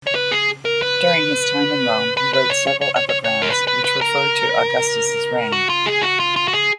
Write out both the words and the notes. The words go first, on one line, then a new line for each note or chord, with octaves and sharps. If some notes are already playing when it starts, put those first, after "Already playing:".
During his time in Rome, he wrote several epigrams, which refer to Augustus' reign.
C#5
B4
G#4
A#4
B4
B4
B4
C#5
C#5
C#5
C#5
C#5
C#5
A#4
B4
B4
B4
A#4
F#4
F4
G#4
F#4
F4
F4
F#4
G#4